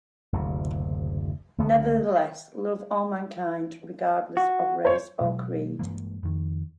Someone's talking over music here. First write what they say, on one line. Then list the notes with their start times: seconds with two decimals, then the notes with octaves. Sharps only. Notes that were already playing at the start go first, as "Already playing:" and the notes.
Nevertheless, love all mankind regardless of race or creed.
0.33 F#1 D2 C3
1.58 C#2 D3 A3 B3
4.37 F#4
4.85 C5 C#5
5.21 B2 F#3 G#3
5.79 G2 E3 G#3 A#3
6.23 F2 D#3